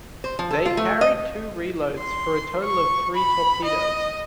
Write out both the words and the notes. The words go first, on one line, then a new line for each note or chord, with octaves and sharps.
They carried two reloads, for a total of three torpedoes.
C5
F3
A4
F4
A3
D#5
C6
C#6
B5
D#5